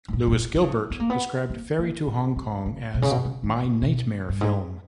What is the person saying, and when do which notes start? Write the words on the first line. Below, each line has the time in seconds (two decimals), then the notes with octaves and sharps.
Lewis Gilbert described "Ferry to Hong Kong" as "my nightmare film".
0.08 G#2
0.13 A#2
0.27 G#2
0.32 A#2
0.55 D#3
0.62 C#3
0.90 B3
1.00 A#3
1.10 B3
1.50 A#3
1.79 A#3
2.07 C#4
2.36 B3
2.66 C#3
2.94 B2
3.02 C#3
3.11 B2
3.25 C#3
3.44 D#3
3.63 C#3
3.82 B2
4.29 G2
4.41 G#2